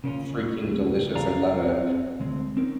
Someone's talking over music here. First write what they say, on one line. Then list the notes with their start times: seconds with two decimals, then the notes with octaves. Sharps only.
freaking delicious, I love it,
0.04 C#3 A#3 C#4 F4
0.25 C#3
1.15 D5 F5 G#5 A#5
1.62 C4
2.20 D2 G#3 C4
2.57 C4 C#4 D#4 A#4